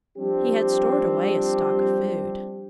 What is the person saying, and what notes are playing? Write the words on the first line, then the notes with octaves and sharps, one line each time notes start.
He had stored away a stock of food.
F3 G3 C4 D4 G4